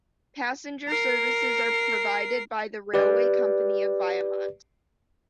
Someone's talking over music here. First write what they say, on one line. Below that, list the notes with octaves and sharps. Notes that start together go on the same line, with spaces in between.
Passenger services are provided by the railway company of Viamont.
A#4 C7
G4 B4 D5